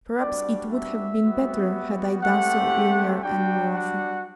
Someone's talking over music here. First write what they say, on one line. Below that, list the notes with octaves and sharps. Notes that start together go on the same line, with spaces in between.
Perhaps it would have been better had I done so earlier and more often.
G3 D4 F#4 D5
E5
G3 B3 F#4
A3 C4 G4 F#5
G3 D4 F#4 G5
F#5